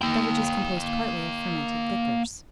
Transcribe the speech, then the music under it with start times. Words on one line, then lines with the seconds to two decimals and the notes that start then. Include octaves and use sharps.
Beverages composed partly of fermented liquors.
0.02 A#3 G5